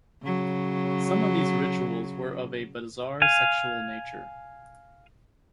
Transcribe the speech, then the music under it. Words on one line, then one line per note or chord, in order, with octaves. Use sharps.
Some of these rituals were of a bizarre sexual nature.
C#3 F#3
F5 G#5